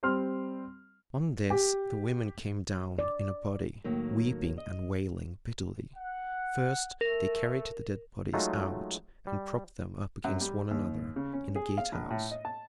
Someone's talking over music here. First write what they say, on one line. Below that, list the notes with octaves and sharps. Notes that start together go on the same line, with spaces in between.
On this the women came down in a body, weeping and wailing bitterly. First they carried the dead bodies out, and propped them up against one another in the gatehouse.
G3 C4 C6 F6
G4
D5
A2 D#3 F#3 A#3
D#5
F#5
A3 A4 A#4
F#3 G#3 A3 D#4 F4
G3
F#2
G3
D#2
C#3
C#4
G#4
F5
A#1
A2
D#5
A5